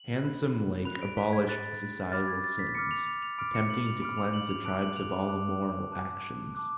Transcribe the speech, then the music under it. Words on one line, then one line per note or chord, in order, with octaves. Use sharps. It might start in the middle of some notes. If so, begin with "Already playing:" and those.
Handsome Lake abolished societal sins, attempting to cleanse the tribes of all immoral actions.
Already playing: F#7
B5 F#6
B5 F#6 F7
D7
B6
G#6
B5 F#6 A6
B5 D6 F6 A6
G#6
A6
B6
B5 D6 F6 C#7
F7
F7
F7
B5 D6 F6 D7
C#7
F#7
F7
B5 D6 F6 D7
F7
F#7
F7
A5 D6 F#6 D7
F#7
F7
F7
A5 D6 F#6
A5 D6 F#6
A5 D6 F#6